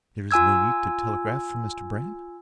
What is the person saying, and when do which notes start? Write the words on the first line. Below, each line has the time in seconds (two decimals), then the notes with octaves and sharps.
"There is no need to telegraph for Mr. Brand?"
0.31 F4 G#5 E6 G#6